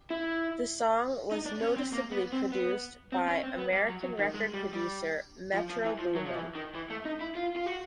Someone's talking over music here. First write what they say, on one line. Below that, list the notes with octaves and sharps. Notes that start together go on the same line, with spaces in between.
The song was noticeably produced by American record producer Metro Boomin.
E4
D#4
D4
C#4
C4
A#3
B3
C4
B3
C4
C#4
C4
B3
G3
F#3
F#3
D#3
G#3
G3
G3
F3
F3
E3
F3
F#3
F3
E3
D#3
E3
A3
D#4
E4
F4
F4
F#4